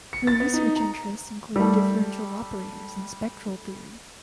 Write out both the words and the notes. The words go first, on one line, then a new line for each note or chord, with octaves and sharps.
Her research interests include differential operators and spectral theory.
C#7
A6
B3
D#4
A#5
G3 A3